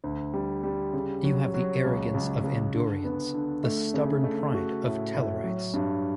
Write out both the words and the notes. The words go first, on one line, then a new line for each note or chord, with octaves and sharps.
You have the arrogance of Andorians, the stubborn pride of Tellarites.
D2
G3
G3
C#3
F#3
F#3
C#2
C#2
C#2
D3
B3
D3
A3
C#3
A3
F#4
A2
A2
F#3
G2